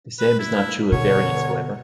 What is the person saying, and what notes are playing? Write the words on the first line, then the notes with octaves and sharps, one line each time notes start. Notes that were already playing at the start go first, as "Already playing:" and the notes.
The same is not true of variance, however.
B4
E4
B2 D3 C#5